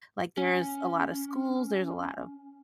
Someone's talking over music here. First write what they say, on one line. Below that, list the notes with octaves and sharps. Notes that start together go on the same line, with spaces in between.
Like, there's a lot of schools, there's a lot of
C#4